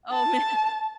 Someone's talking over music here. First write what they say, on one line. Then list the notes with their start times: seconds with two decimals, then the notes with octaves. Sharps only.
Oh, man.
0.13 A5